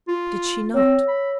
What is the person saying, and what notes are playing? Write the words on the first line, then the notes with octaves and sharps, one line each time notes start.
Did she not?
F4
C4 C#5 E6 A#6
B5